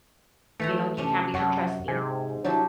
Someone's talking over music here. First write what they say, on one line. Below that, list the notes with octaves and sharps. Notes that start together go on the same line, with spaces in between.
you know, you can't be too trusting.
E3 A3 B4 A#5
C3 C#4 D4
F#2 C#5 D5 E5 F#5 A5 C#6
G#2 C3 G#5
F#3 G3 D4 E4 G4 A5